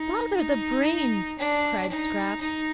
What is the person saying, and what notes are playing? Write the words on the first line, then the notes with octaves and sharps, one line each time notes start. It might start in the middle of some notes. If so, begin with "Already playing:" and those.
"Bother the brains!" cried Scraps.
Already playing: D#4
D#4
D4
D#4
D#4